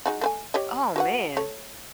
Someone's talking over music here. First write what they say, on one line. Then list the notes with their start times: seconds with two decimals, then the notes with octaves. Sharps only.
Oh, man.
0.06 G#3 D#4 F#4
0.21 A3 B4 G#5
0.54 G4 C#5 D#5
0.96 F#4 B4 F#5
1.37 A3 C#5